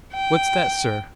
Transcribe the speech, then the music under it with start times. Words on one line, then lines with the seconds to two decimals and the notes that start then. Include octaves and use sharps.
"What's that, sir?"
0.14 G5